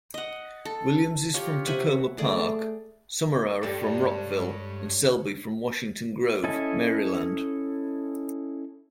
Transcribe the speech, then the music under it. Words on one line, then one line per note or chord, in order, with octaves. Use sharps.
Williams is from Takoma Park, Summerour from Rockville, and Selby from Washington Grove, Maryland.
D#5 F#5
A4
F4 G4 C#5
C3 E5 F#5 G#5
A3 G#4 D5
G2 G3 G#3 A4 C#5
C#4 E4 A4 D#5 G#5